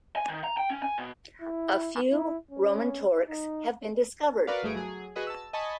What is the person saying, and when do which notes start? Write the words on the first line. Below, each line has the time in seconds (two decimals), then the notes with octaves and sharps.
A few Roman torcs have been discovered.
0.16 G#5
0.28 D#3
0.44 A#5
0.57 G5
0.70 C#4
0.82 G#5
0.98 B2
1.41 E4
2.12 E4
2.51 C#4
3.28 D#4
4.47 F#4 A#4 B4 D5 F5
4.63 G1 A3 G#4 D7
4.75 F#3 G#4
5.16 F#4 G#4 B4 D#5 D#6
5.27 A5 E6
5.53 D#5 G#5 A5 B5 C#6